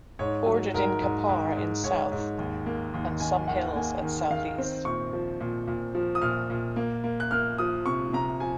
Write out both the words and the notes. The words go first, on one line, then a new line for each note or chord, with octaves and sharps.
Bordered in Kapar in South and some hills at Southeast.
G#2 C#5
F#3
G#2 A#4
G#2
G#2
G#2
G#2 C#5
G#2
D#2
A#3
D#2
D#3 G#5
D#2 F#5
A#3 G#5
D#3
D#3 F5
C4
A#2 C#6
F3
A#2
A#2
F3
D#6
A#2 F6
A#2
A#3
A#3
F#6
A#3 F6
F3 D#6
C3 C#6
C3 A#5
F3 G#5